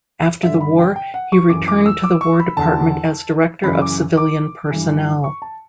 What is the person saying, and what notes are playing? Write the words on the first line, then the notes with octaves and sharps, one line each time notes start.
After the war, he returned to the War Department as director of civilian personnel.
G2 D3 E5
B5
G5
G5
F#5
C#6
F#2 E3 D6
D6
E6
D6
C#6
B5
E2 D3 A5
F#2 C#3 E3 B5
D6
D6
G2 E3
C#6
A5